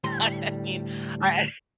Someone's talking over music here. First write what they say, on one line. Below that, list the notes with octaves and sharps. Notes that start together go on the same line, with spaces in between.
I mean, I
D2 A2 G3 C6